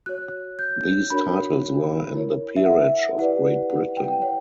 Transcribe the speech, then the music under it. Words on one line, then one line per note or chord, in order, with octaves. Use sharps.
These titles were in the Peerage of Great Britain.
F#4 C#5 F#6
G6
D4 F#4 A#4 C#5 B5
E4 A#4 C#5
E5
F#5
E4 G4 B4 D5 F#5
F#5
G5
C#5 F#5